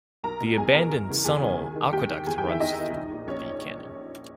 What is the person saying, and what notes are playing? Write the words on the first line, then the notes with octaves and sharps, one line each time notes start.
The abandoned Sunol Aqueduct runs through the canyon.
B1 A#4 A#5
B2
B1 G#4 G#5
B2 A#4 A#5
E2
C#3 E3
E2 G#4 G#5
C#3 E3
D#2
D#3
D#2 G4 G5
D#3
E2 G#4 G#5
G4 G5
D#3
E4 E5
E2 D#4 D#5
D#3
A#1
A#2
A#1 C#4 C#5